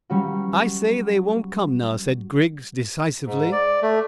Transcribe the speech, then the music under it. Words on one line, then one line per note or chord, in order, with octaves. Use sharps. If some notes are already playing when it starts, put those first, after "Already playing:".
"I say they won't come now," said Griggs decisively.
F#3 G3 C#4 F#4
G#2
D5
A3